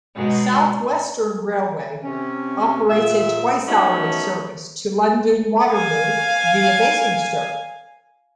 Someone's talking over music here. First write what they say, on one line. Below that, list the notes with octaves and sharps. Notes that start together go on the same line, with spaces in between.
South Western Railway operates a twice-hourly service to London Waterloo via Basingstoke.
G#2 B2 F#3 G#3 D#4
C3 C#4
A#2 E5
F#3 A3 B3 C#4 D#4
F5 G#5